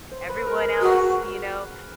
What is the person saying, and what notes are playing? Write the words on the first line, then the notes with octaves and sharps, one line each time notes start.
everyone else, you know,
C5
B4
A#4
A#4
F#4 G#4